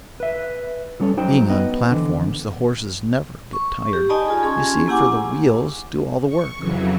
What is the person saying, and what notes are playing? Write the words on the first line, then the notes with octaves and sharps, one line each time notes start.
"Being on platforms, the horses never get tired, you see, for the wheels do all the work."
B4 E5
F#3 G3 C#4 A4 C#5
F#3 D#4 C5 G5
B3 B4 D#5
D3 E3
C#6
G4
D#4 D5 D#5 G#5 A5 B5
F4 G#4 G#5
C#4 G#4 A5 C6 C#6
A#3 E4 G4 F#5 G#5 D6
C#6
F2 C#3 E3 F#3